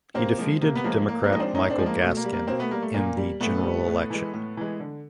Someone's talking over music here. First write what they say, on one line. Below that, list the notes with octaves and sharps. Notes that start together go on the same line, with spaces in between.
He defeated Democrat Michael Gaskin in the general election.
C3 A#3 C4
F3 G#3
C3 A#3
B3
F3 G#3 A#3
A2 A#3
A#3 C4
F3 G#3 C4 D4 D#4
A2 C#4 D#4
C4 D4
F3 G#3
A#3
B2 A3
A#3
G3
A#3
B2 A#3 C4
A3 B3
G3 A#3
A3
A#2 A#3
G3
A#2 A3 B3
G3
A2
E3 G#3
A2
E3 G#3
D3